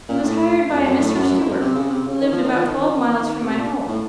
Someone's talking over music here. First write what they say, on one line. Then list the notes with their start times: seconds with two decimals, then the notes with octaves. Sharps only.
She was hired by a Mr. Stewart, who lived about twelve miles from my home.
0.09 A#2
0.23 A2
0.69 F2
0.85 F#2
1.00 A2
1.15 F#2
1.30 F#2
1.40 F2
1.50 F#2
1.61 C3
1.75 C#3
1.90 C3
2.06 C#3
2.21 D#3
2.32 F3
2.44 D#3
2.55 F3
2.67 D#3
2.82 F3
2.97 D#3
3.13 D#3
3.43 C3
3.58 A#2
3.88 A2